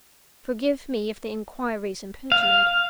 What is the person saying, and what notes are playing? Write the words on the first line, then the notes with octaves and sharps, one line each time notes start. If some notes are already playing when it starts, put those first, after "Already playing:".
Forgive me if the inquiry is impertinent.
F5